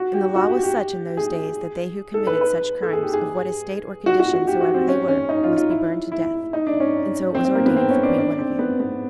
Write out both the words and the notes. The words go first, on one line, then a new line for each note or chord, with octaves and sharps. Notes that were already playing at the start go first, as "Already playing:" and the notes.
And the law was such in those days that they who committed such crimes, of what estate or condition soever they were, must be burned to death, and so it was ordained for Queen Guenever.
Already playing: F#4
G4
F#4
G4
G4
G#4
A4
B4
B4
A4
G#4
G4
G#4
F#4
F#4
F#4
G4
F#4
C4
C#4
C#4
D#4
F4
F4
E4
E4
D#4
D4
C#4
C4
C4
A#3
B3
C4
C#4
D4
D4
C4
B3
B3